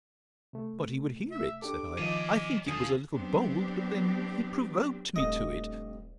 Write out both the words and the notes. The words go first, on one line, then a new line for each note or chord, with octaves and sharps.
But he would hear it! said I: I think it was a little bold; but then he provoked me to it.
C3 A3
E5
D4 G4 A4 D6
D#3 F3 D5 D#5 G#5
D#2 D3 F3 G#4
F#3 B3 C4 D4 G4
D#1 G2 A3 C4 D#5